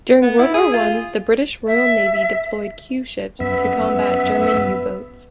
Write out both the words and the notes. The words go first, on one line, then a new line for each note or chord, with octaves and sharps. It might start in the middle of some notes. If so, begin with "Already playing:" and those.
During World War One, the British Royal Navy deployed Q-ships to combat German U-boats.
B3
E4
G#4
F4
E5
F#2 B3 E5